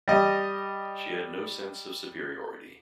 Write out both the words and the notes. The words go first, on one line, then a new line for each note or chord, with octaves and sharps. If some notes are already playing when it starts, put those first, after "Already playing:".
She had no sense of superiority.
G3 D#5